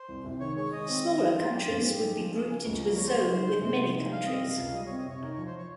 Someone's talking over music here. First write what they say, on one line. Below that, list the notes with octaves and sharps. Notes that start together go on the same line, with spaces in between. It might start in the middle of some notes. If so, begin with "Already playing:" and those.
Smaller countries would be grouped into a zone with many countries.
Already playing: C5
C2
C3
D#3 C#5
G#3 C#5
D#3 D#5
C4
D#3
G#3
D#4 F4
F3 G4
F4
G#2
G#3 G4
D#4
F3
A#3 G#4
C#3
C#2
G3 A#4
A#3 C#5
C5
C#3
D#4
G3
C3
A#3
D#4
G3 F5
C4 D#5
C3
F5
C#2
F5
G3 D#5
C#5
C4
D#5
C3 C#5
D#4 A#4
C#5
F3
C5
C#5